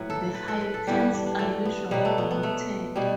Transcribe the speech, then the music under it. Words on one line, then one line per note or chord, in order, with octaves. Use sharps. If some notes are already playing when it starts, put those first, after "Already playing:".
The hyphens are usually omitted.
Already playing: A2 F#3 B4
A4
B4
A4
B4
A4
G2 E3 G3 G4
F#4
D4
D4
A3
B3
B2 F#3 G3
A3
B3
B3
A3
B2 G3